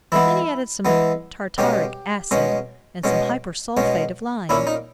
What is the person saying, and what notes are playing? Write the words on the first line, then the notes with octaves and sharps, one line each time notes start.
Then he added some tartaric acid and some hypersulphate of lime.
E3 G#3 B3 E4
E3 G#3 B3
B2 G#3 C#4 G4
B2 G#3 C#4
B2 G#3 C#4
B2 G#3 C#4
A#2 A#3 C#4 E4
D#4